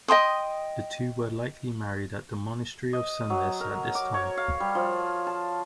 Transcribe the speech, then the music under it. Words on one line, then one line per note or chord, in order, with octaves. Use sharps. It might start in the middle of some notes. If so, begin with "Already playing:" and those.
The two were likely married at the monastery of Senlis at this time.
D#5 G5 C6 D#6
D#5
F#3
A#4
D6
C#5
F5
G3
F3
A5